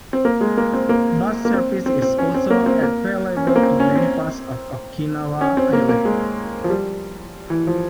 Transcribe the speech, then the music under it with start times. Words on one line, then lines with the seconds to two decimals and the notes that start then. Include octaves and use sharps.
Bus service is also available to many parts of Okinawa Island.
0.13 C4
0.25 A#3
0.41 G#3
0.58 A#3
0.73 C4
0.89 A#3
1.45 A#3
1.54 C4
1.86 C4
2.02 C4
2.18 C#4
2.34 C4
2.50 A#3
2.66 C4
2.83 A#3
3.36 C#4
3.47 C4
3.56 A#3
3.63 C4
3.80 C#4
3.96 C4
5.41 C#4
5.57 C4
5.73 A#3
5.89 A#3
6.05 G#3
6.64 F3
6.70 G3
7.50 E3
7.67 F3